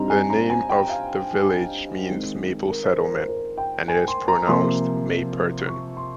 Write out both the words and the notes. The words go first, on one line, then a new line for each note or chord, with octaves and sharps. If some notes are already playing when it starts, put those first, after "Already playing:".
The name of the village means "maple settlement" and is pronounced "Mayperton".
Already playing: G2 G3 C4 D#4 A#5
G#5
A#5
G#5
G5
F5
D#3 G#3 C4
A#4
C5
A#4
C5
A#4
G5
G#5
C6
A#5
C3 F3 A#3 C6
C#6
C6